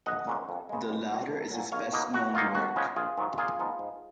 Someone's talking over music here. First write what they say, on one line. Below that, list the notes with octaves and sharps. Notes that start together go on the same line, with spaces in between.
The latter is his best-known work.
A#1 D#5 F#5
A#2 G#3 C#4
F2
C#3 G#3
C#2
B2 F#3
A#1
A#2 F#3
B1 C#5 F5
B2 A#3 D#4
F#2 F#4
D#3 F#3 A#3 D#4 F4
D#2 F#4
C#3 F3 G#3 C#4
A#1 F4 G#4
G#2 D#3 F#3
A#2 F4 G#4
F3 B3 D#4
G#2